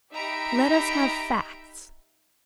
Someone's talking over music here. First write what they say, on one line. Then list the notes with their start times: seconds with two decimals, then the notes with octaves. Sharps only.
Let us have facts.
0.12 D#4 G4 E5 A#5 B5 D7